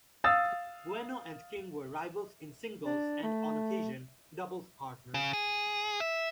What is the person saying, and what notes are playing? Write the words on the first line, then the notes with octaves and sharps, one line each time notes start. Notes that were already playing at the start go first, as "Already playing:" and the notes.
Bueno and King were rivals in singles and, on occasion, doubles partners.
F5 D#6 E6 A6
D4
A3
C#3
G#4
E5